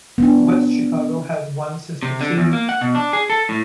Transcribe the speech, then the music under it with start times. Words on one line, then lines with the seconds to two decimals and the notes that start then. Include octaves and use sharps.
West Chicago has one sister city.
0.18 B3 D4
2.03 C3
2.21 D3
2.38 E2
2.53 A#3
2.69 F#5
2.81 B2
2.95 D4
3.13 G#4
3.30 A4
3.49 A2